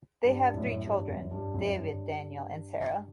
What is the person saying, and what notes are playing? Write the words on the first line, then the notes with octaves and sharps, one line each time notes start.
They have three children: David, Daniel and Sara.
G2
F#2 A2
G2
F#2
G2
F#2
G2